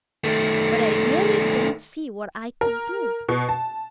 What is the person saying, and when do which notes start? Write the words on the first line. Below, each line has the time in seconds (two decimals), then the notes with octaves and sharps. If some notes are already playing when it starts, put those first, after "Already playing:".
But I really don't see what I could do.
0.24 D#3 A3
2.61 A#4
3.29 B2
3.49 A5